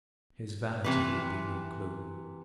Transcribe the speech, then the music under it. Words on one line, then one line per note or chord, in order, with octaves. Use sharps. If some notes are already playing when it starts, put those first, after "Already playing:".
His vanity would be your clue.
C3 E3 B4